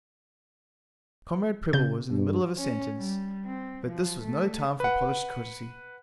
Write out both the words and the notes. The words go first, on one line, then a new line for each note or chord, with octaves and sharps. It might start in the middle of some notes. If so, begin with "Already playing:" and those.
Comrade Prebble was in the middle of a sentence, but this was no time for polished courtesy.
C#3 G6
G2
C#4
G3
C4
F3
A3
B4 F#5